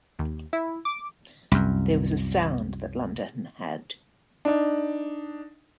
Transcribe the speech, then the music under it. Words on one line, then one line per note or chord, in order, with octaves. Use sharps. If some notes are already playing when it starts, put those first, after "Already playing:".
There was a sound that London had.
D#2
E4
D6
C2 F#2
D4 D#4